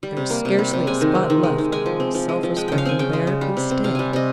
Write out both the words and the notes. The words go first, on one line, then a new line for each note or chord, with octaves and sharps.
There is scarcely a spot left where a self-respecting Bear can stay.
G3
C3
A#3
C3
G3
C3
G#3 G#5
D#3
C4
D#3
G#3
D#3
G#3 G#5
F3
C4
F3
G#3
F3
G#3 G5
C#3 G5
F5
C4 G#5
C#3 G5
G#3
C#3
G3
C3
C4
C3 F5
G3 G#5
C3 D#5